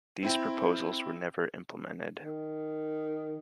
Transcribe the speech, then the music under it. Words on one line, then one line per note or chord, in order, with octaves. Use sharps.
These proposals were never implemented.
C4 E4 G5
D#3